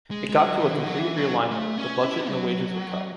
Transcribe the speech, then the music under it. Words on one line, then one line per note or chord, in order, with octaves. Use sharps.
It got to a complete realignment, the budget and the wages were cut.
G#3
G#3
F#3
E3
D3
F#3
E3
F#3
A3
C#4
E4
F#3